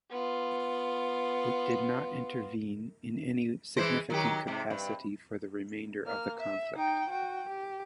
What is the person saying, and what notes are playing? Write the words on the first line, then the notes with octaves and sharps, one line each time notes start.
It did not intervene in any significant capacity for the remainder of the conflict.
B3 F4
E3 G#3 C5
D#3 F#3 G4
G#2 C3
G2
A#3 F6
E5
D#4 G5
F#4 G5
G4